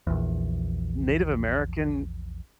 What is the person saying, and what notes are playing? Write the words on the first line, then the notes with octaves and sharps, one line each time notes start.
Native American
A#1 E2